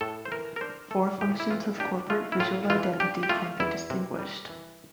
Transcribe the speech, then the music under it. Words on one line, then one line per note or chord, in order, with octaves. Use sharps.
Four functions of corporate visual identity can be distinguished.
A2 A4
C5
E3 A#4
A#4
D4 C5
A3 A4
A2 G4
E4
E3 F4
D4 G4
A3 F4
E4
A2 F4
E3 F4
D4 G4
G4
A3 F4
E2 E4
C3
G3
E3